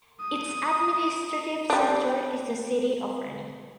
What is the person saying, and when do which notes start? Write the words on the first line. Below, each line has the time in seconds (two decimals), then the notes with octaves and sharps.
Its administrative center is the city of Reni.
0.22 D#6
1.70 G3 D4